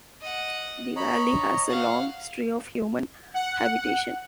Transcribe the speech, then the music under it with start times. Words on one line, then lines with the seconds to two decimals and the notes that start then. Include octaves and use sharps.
The valley has a long history of human habitation.
0.21 D#5 F#5
0.96 C#5 D#5 A#5 B5
1.67 F5 F#5
3.34 F#5